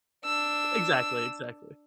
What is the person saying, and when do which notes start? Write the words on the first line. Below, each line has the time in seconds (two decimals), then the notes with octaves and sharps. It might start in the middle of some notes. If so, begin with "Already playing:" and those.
Exactly, exactly.
0.25 D4 E6